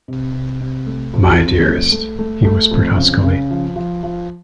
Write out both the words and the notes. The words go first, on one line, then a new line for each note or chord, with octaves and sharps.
"My dearest," he whispered huskily.
C3
C3
C3
A3
F2
F2
A3
A3
A3
A3
F2
C#3
C#3
F3
F3
F3